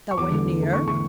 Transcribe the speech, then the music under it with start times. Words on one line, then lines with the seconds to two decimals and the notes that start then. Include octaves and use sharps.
No one near.
0.11 C#6
0.17 E2 D6
0.31 D3 A3
0.45 E2
0.59 D3 A3
0.73 E2 C#6
0.88 D3 A3 C#6